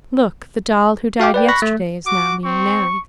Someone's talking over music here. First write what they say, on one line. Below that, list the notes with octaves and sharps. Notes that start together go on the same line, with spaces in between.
Look, the doll who died yesterday is now being married....
F#4 F5 G5 D6
B4 D5 G5
B5 C#6 F#6 A#6
A3
F#4 D6
C4 C#6